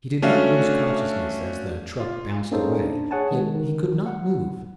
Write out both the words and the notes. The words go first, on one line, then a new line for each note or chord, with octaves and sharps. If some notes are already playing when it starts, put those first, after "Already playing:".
He did not lose consciousness as the truck bounced away, yet he could not move.
A3 C#4 D4 F#4 E5 F5
F4
A#3 C#4 D#4 G#4 A4 C5
D4
G#4 C#5 F#5 G#5 A5
D#3 G#3
D#3
F#5